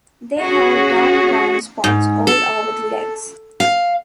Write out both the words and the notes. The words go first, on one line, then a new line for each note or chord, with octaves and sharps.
They have dark brown spots all over the legs.
C#4 F#4 G#4
G#2
A4
F5